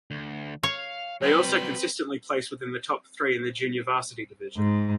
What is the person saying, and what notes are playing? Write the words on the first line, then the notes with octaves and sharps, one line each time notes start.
They also consistently place within the top three in the Junior Varsity division.
D2
C#5 F5
F#3 G3 C4 B4
G#2